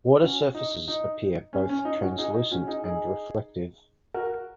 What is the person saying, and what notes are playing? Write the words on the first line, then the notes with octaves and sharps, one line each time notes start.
Water surfaces appear both translucent and reflective.
C#4 F#4
D#4
D#4
C#4
C#4
D#4
C#4 F#4
D#4 G#4
D#4
C#4 F#4
D#4 G#4
D#4 G#4
F#4 A#4